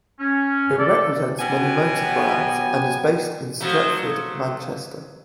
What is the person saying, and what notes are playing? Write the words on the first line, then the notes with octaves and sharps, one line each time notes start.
It represents many motor brands and is based in Stretford, Manchester.
C#4
A4 D5
B2 F#3 B3 G4 G#5
F3 F#3 A3